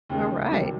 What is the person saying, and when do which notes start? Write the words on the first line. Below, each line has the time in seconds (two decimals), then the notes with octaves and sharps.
All right.
0.09 D#2 C#3 G#3
0.51 C2 C3 D#3 F#3